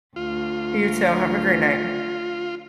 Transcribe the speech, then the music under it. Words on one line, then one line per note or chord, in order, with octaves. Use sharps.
You, too, have a great night.
D2 F4